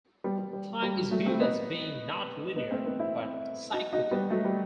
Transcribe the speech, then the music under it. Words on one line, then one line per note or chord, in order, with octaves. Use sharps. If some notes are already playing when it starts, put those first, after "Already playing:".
Time is viewed as being not linear but cyclical.
G3 B3
G3
G3
G3
F#3
F#3 A3
A3 C4
B3 D#4
B3 D#4
A3 C4
B3 D#4
C4 E4
D#4 F#4
D#4 F#4
G3 B3
F#3 A3
G3